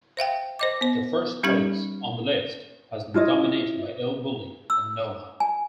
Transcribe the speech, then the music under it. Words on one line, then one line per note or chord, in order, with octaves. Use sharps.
The first place on the list has been dominated by elBulli and Noma.
C5 E5 F5 G5
C5 D#5 D6
B3 C5
G3 C#4 D#4 G4 G#6
E4 F4 C#5 D#5
E6
G#5